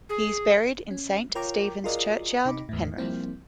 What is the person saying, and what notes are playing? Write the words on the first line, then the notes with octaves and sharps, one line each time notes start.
He is buried in Saint Stephen's churchyard, Penrith.
G#4
C#4
F4 A#4 C#5 G5 A#5 D6
F4 F#4 G#4 A#4 D5 D#5
C3 D#4 B5 D6
E2 A2
F3 G3 A#3 C4 E4